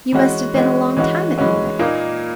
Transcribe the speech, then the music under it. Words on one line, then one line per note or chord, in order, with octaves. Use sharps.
You must have been a long time at Munich.'
E3 G#3 C#4 F#4
E3 G#3 C#4 F#4
E3 G#3 C#4 F#4
E3 G#3 C#4 F#4
A#2 A#3 D#4